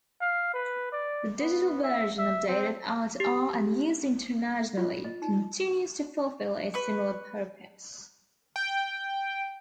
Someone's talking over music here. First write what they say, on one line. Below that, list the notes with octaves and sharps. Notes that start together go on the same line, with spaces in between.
The digital version, updated hour-to-hour, and used internationally, continues to fulfil a similar purpose.
F5
B4
D5
B3
E5
E5
C4
G4
F4
D#5
D#4
B4 C#6
G5